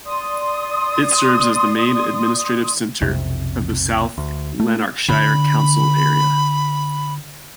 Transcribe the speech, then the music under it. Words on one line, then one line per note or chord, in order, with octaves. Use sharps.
It serves as the main administrative centre of the South Lanarkshire council area.
D5 C6 D#6
B1 F2 C3
D2
A3
D3 B5